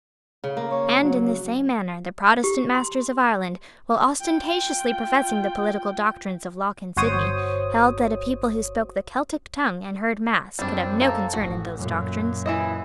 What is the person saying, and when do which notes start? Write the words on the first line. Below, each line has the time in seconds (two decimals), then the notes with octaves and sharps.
And, in the same manner, the Protestant masters of Ireland, while ostentatiously professing the political doctrines of Locke and Sidney, held that a people who spoke the Celtic tongue and heard mass could have no concern in those doctrines.
0.44 C#3
0.57 A#3
0.71 C#5
1.04 F#3
2.44 G4
2.75 C6
4.21 F4 G5
6.97 G1 F#4 C5 C#5 D#6
10.59 F#2 G3 C4 D4
11.01 A#3 A4
11.33 A1 F#4
11.78 F#2 A#2
12.46 E3 E4 D#5